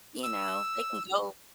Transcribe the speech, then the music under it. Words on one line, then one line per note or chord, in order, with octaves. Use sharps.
you know they can go
E6